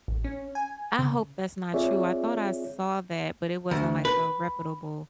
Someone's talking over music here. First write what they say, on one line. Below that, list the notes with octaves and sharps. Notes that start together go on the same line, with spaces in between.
I hope that's not true. I thought I saw that, but it wasn't, like, a reputable
A1
C#4
G#5
C#3
C4 F4 G#4 C#5 D5 E5
D2
B4